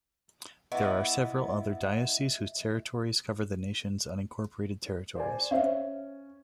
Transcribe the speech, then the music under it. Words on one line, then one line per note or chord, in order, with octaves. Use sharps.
There are several other dioceses whose territories cover the Nation's unincorporated territories.
B3 E4 D#5 E5
C5 D5 G#5
C#4 C5 E5 F5